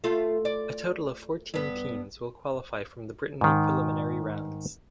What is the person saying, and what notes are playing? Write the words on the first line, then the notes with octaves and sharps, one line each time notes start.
A total of fourteen teams will qualify from the Brittany preliminary rounds.
A3 F4
D5
G2 B3
G#2 D#3